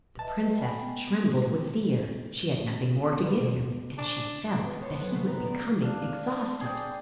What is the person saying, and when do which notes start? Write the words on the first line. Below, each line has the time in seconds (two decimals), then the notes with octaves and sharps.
The princess trembled with fear; she had nothing more to give him, and she felt that he was becoming exhausted.
0.19 B4 D#5 E5 A5
0.56 G5 G#5 B5
0.79 B3
3.05 D6
3.26 B4
3.40 B2
3.98 D4
4.65 B3
4.82 C5 C#5 A5
4.99 D3 F#3 G#3
5.13 C3 B4 C5
5.28 B4 A#5
5.45 D5
5.83 D4 F5
6.61 G#4 D5 G5